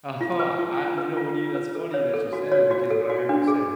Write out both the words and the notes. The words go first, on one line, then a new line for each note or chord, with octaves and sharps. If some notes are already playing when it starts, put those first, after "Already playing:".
Uh-huh, I You know, when you That's funny that you say that, because when I heard you say
F4
B4
F4
F4
B4
F4
F4
B4
A4
C#5
A4
F#4
F#4 C#5
F#4
A4
F#4
D4
G#4